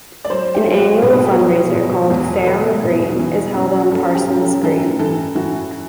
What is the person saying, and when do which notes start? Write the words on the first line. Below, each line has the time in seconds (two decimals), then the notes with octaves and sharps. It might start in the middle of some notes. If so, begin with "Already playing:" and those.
An annual fundraiser called, 'Fair on the Green', is held on Parsons' green.
0.25 D5
0.30 F#3 C5
0.55 G4
0.67 F#3
0.79 F#4
1.02 B2 F#4
1.12 B4
1.20 A4
1.26 G4
1.39 F#3
1.75 B2
2.10 E2
2.39 A4
2.47 F#3 B4
2.83 B2
3.19 E3
3.55 F#2
3.91 F#2 A4
4.15 G4
4.28 F#2
4.40 A4
4.63 E3 A4
4.99 E3 A4
5.35 E3 F#4